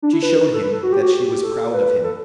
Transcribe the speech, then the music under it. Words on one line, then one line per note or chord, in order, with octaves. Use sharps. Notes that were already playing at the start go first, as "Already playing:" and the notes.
She showed him that she was proud of him.
D4
E4
B4
A4
B4
A4
F#4
G4
F#4
G4
A4
B4
A4